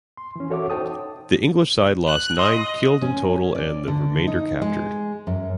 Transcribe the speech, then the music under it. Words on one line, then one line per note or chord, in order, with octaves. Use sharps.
The English side lost nine killed in total and the remainder captured.
C6
E3 C#4
F#4 A4 C#5 E5 F#5 D6
D#4 C5 C#5 G5 A5 D#6
F#6
D#5 C6 D#6
C#4
D5
D3
D#4
G#3
F#2